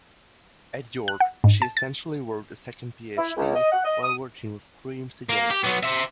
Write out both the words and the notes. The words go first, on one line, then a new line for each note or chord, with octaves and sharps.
At York, she "essentially wrote a second PhD" while working with Graeme Segal.
F#6
F#5
G#2
A5
A6
E4
C#2
D#5
F#5
D#5
D#6
A#3
G4
F#3 B3
C5 E5